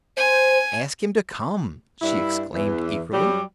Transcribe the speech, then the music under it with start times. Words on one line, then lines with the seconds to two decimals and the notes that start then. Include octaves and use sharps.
"Ask him to come," she exclaimed, eagerly.
0.17 C5 G#5
2.01 G2 D4 E4
2.54 E2 E3
3.13 F#2 F#3 G3